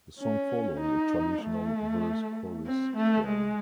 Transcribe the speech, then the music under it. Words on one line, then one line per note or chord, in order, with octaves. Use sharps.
The song follows a traditional verse-chorus form.
C#4
D#4
A3
C4
A3
G#3